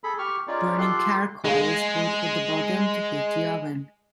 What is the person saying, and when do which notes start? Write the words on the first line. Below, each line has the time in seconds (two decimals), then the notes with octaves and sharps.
Burning charcoal is put at the bottom to heat the oven.
0.04 G#4 A4 B5
0.18 G4 C#6 F6
0.48 C#4 D#4 F4 G#4 D5
0.78 F4 G4 A4 C6 F#6
1.44 G#3 G#4 F5